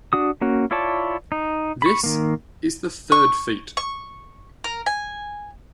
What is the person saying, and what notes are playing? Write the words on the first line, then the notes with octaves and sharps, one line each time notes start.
This is the third feat.
D4 F#4 D#6
A#3 C#4 F#4
E4 F4 C#5 D5 A5
D#4
B5 C#6
D#3 A#3
C#6
C#6
A#4
G#5